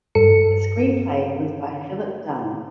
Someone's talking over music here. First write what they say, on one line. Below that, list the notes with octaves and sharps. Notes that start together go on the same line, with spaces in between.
The screenplay was by Philip Dunne.
G2 A4 C#7